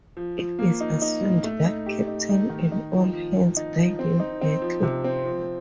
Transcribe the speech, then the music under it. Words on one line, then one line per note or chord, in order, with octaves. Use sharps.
It is assumed that Captain and all hands died in battle.
F3
F3
A#3
D#4
D#4
A2
A3
D#4
G4
D#4
D#4
D#3
D#4
F3
F3
F3
D#4
F3
C4
D#4
C4
F3
C3
C4
F3